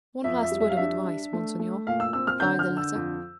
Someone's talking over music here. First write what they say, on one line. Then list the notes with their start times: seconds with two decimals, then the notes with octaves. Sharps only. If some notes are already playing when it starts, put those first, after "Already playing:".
"One last word of advice, monseigneur," replied the latter.
0.24 F2 E5
0.42 E5
0.52 G3
0.60 E5
0.69 F5
0.77 D4 E5
1.05 D4
1.33 A3
1.59 A3
1.87 A#2 F5
2.00 E6
2.13 C4 E6
2.27 F6
2.40 D3 G6
2.59 F6
2.68 D3
2.77 E6
2.95 F2